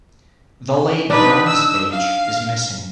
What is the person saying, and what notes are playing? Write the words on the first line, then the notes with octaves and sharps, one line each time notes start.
The Late Bronze Age is missing.
D4 D#4 B4
E6
F5